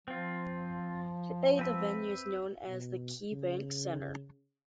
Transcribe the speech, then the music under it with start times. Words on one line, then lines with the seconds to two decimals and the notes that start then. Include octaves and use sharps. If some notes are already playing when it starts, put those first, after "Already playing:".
Today, the venue is known as the KeyBank Center.
0.08 F3 C4 F4
1.59 C4 B4 E5
2.67 B2
3.32 C#3